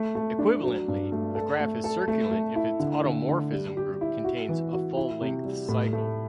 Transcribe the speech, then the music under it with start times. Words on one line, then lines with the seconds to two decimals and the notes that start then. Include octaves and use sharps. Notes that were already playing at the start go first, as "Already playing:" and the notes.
Equivalently, a graph is circulant if its automorphism group contains a full-length cycle.
Already playing: A3
0.15 A3
0.39 D4
0.63 F#3
0.88 G2
1.12 A3
1.35 A4
1.60 A3
1.84 A4
2.08 A3
2.31 A3
2.56 E4
2.80 D3
3.04 D3
3.29 D3
3.53 G3
3.77 G4
4.01 E4
4.24 F#4
4.49 E3
4.72 F#4
4.97 E4
5.21 C3
5.45 G3
5.69 A2
5.93 A3